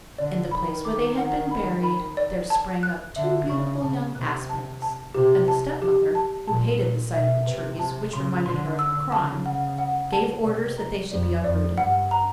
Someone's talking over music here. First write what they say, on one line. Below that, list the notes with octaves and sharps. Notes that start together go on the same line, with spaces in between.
In the place where they had been buried there sprang up two beautiful young aspens, and the stepmother, who hated the sight of the trees, which reminded her of her crime, gave orders that they should be uprooted.
D3 D5
D#3 B5
D6
F#5
B5
B5
D5
A5
F#6
D3 E5
C#3 C#6
C#3 A5
C3 F#6
A5
A5
C3 G4
A5
G4
A5
A#2 A5
A#2 B4
B2 E5
C3 B4
C3 A5
C#3 C6
D3 C6
E6
C#3 A5
F#5
F#5
A5
C3 D5
A#5
F2 D5
F2 D5
G2 F#5
A#5